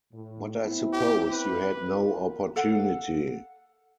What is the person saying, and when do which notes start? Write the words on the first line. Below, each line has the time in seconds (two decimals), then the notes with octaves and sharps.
But I suppose you had no opportunity.
0.13 A2
0.64 B3 C4 E4
0.93 G4
1.31 B4
1.91 F4 A#4
2.56 A4 F5 F#5